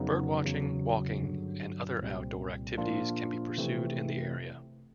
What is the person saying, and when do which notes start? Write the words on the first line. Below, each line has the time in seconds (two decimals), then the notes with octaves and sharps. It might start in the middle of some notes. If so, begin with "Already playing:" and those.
Bird watching, walking and other outdoor activities can be pursued in the area.
Already playing: F2 C#3 F#3 B3 D#4
0.44 E2 C#3 F#3
1.22 G2 D3 F#3
2.00 C2 A#2 G3 C4
2.78 A#2 F3 A#3 D4 F4
3.57 C3 E3 A3 C4